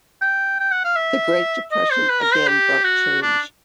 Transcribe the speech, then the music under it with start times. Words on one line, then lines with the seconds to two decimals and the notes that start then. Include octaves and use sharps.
The Great Depression again brought change.
0.21 G5
0.59 G5
0.71 F#5
0.84 F5
0.96 E5
1.71 D#5
1.90 C5
2.09 B4
2.22 A#4
2.34 C5
2.47 G4
2.84 F#4
3.22 D4